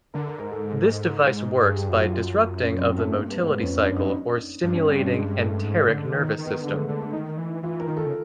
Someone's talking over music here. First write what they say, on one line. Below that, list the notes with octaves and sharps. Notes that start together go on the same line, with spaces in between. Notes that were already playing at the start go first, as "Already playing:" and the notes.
This device works by disrupting of the motility cycle or stimulating enteric nervous system.
D3 A#4
A#4
G#2 A#4
A4
G#2
G2 G#4
G4
F#2 F#4
F4
F4
C#4
C4
A3
G2 A#3
B3
G#2
B3
F2 C#4
D4
F#2
D#4
G2
C#4
C4
D4
G#3
A3
G#2
D3
D#3 B3
D#3
B3
D3
G#3
A3
D3 A3
A3
D#3 D#4
E3
E3 F4
A#4
D#3
A4
C#3